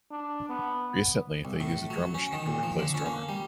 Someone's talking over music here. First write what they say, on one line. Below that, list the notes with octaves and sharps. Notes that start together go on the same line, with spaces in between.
Recently, they use a drum machine to replace drummer.
D4
B3
C2
A2
F#3
C#4
D#3
A#2
F3
D3
C#4
A#3
G3